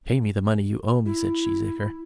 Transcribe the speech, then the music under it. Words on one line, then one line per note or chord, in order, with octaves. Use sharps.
"Pay me the money you owe me," said Cheesacre.
E4